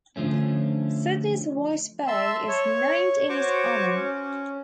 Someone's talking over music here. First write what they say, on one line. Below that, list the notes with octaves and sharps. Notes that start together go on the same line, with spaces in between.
Sydney's White Bay is named in his honour.
D3 F3 A3 C#4
E5 A5 C6 E6
C#5
F#4 C5 C#5 C#6 D6
C#4